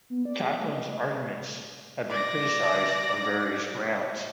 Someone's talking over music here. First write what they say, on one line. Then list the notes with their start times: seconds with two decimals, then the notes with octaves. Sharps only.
Kaplan's arguments have been criticised on various grounds.
0.10 B3
0.25 D5
0.40 G#4
0.59 A3
0.72 D#5
2.10 D5 A#6